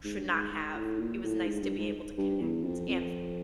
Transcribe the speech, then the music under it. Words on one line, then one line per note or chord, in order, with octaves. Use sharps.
should not have, it was nice to be able to connect and f
G#2
G2
G#2
G#2
A2
A#2
A2
G#2
G2
G#2
G2
E2
F2
F2